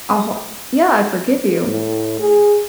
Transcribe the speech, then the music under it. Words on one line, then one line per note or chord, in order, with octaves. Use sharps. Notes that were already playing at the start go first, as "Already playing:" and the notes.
I'll ho yeah, I forgive you,
A2
G#4